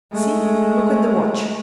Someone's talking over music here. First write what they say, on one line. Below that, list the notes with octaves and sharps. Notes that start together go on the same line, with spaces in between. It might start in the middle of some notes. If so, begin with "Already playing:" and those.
See, look at the watch.
G#3 A3